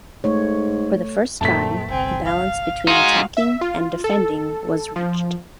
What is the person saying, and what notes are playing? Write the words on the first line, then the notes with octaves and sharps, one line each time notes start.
For the first time, a balance between attacking and defending was reached.
G#2 A3 C#5
F#2 A#2 A3 C4 A5 B6
G1 C2 C4 G#5
F5
D#4 F#4 G#4 F5 C6
E5
F4
A4
F3